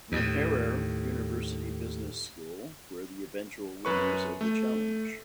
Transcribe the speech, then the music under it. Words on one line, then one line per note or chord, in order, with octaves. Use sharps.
Makerere University Business School were the eventual winners of the challenge.
D#2 A2
F#2 B4 C#6
A3